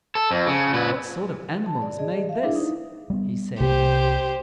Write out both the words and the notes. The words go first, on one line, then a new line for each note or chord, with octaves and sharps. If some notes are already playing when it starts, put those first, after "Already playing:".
"What sort of animal has made this?" he said.
A4
F2
C#3
A#2 B4
A5
D5
G#4 D5 D#5
E5 F5
D4 E4 G#4
D#4
G3 B3
C2 C3 A#3 G4 C5